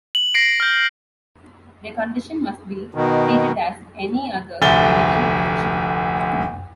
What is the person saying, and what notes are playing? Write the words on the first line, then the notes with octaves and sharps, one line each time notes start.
Their condition must be treated as any other medical condition.
F#7
A#6 C7 D7
F6 G6
B2 D#3
F1 D2 A6 G7